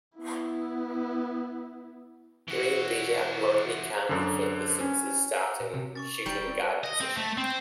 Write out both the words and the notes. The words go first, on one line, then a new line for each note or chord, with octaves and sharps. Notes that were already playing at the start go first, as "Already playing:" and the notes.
Green beat out Rodney Carney for the Sixers starting shooting guard position.
B3 E4
E3 F#4
F#2 D3
C#4
A#2
C3 C4
C#4 C#6 D6 A6
E1 G3 D#4 C#6 C7 D7
C4
D#5
C4
A3
C4